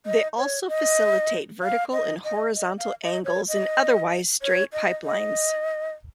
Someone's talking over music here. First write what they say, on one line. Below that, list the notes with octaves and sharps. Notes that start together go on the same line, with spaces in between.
They also facilitate vertical and horizontal angles in otherwise straight pipelines.
D#5
C#5
D#5
F5
D#5
D#5
D#5
F5
D#5
C#5
D#5
C#5
D#5
D#5